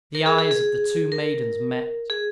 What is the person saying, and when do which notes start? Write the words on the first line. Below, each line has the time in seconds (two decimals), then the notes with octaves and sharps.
The eyes of the two maidens met.
0.15 A#4
0.26 G#4
0.39 G#4
0.51 G#4
1.12 A#4
2.10 G#4